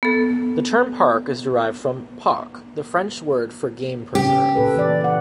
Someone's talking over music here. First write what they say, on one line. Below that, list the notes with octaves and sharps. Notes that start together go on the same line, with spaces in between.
The term park is derived from "parc", the French word for game preserve.
B3 A4
C#3 C#4 G4
A#2 A4 B4
E3 D5
D5 F#5